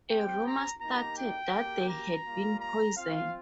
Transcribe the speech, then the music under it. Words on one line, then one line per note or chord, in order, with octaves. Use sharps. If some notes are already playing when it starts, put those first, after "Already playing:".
A rumour started that they had been poisoned.
C4 G4 G5
A#5
A#3 D#4 G4 A#5
G5
A#3 G4
A#5
G3 A#3 F4
A#5
C4 F4 F5